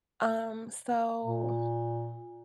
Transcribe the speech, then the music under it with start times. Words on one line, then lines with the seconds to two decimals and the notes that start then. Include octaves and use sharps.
Um, so
1.25 A#2